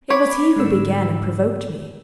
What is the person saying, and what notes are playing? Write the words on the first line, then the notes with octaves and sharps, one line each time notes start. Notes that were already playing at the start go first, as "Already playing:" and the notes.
It was he who began and provoked me.
C#5 B5 D6
G#2 D3 E6